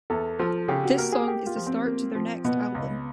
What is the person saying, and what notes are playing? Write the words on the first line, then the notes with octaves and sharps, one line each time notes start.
This song is the start to their next album.
E2 A4
F3 A4
C#3 G4
F#4
A#3 A#4
G#4
A#3 G4
F4
F3
C4
A#3
F3
B2 B3
C#2